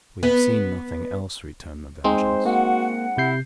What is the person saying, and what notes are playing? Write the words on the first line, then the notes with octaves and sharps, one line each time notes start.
"We have seen nothing else," returned The Vengeance.
B3
G#3 C4 D#4 C5
A#3 F#4 F#5
C3 E4 G6 C7